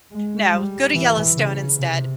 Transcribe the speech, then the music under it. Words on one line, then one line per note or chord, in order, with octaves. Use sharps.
No, go to Yellowstone instead.
G#3
G3
E3
C#3
C3